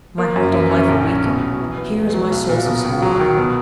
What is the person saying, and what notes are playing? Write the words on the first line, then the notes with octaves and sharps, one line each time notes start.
My hold on life would weaken; here is my source of supply.
A#3
F#2
E4
C#4
A#1
C#4
B2
F#3
E3
B3
E2
F#3
B1
A#2
B2
C#2
F#3
D#3
B2